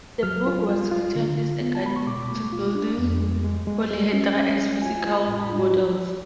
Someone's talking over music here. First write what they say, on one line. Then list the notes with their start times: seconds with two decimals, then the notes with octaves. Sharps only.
The book was written as a guide book to building polyhedra as physical models.
0.23 F#3 F6
0.47 F4
0.69 F4
0.91 F4
1.15 D3
1.37 F4
1.61 B3
1.75 A5
1.83 G#3 B5
1.96 C#6
2.07 B2 D6
2.30 A3
2.53 F4
2.75 D4
2.98 F2
3.21 G#3
3.44 G#3
3.67 G#3
3.91 G#3
4.13 C#4
4.36 C#4
4.59 G#3
4.82 F4 G#5
5.05 F4
5.12 B5
5.28 A2
5.39 A5
5.42 B5
5.50 F4